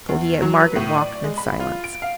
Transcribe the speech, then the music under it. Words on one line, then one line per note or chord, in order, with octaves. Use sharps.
So he and Margaret walked in silence.
E2
F#3
B4
A2
D5
G#3
B5
F4
D7
F5